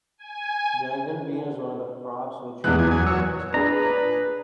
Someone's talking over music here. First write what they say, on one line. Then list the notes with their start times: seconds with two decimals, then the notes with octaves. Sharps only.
Jangdan bean is one of these crops which have been harvested in Paju.
0.17 G#5
2.64 E2 B2 E3 G#3 F#6
2.79 F2 G#5
2.91 F#2 G#5
3.06 F#3 C#5 E6
3.54 D4 G#4 B4 A#5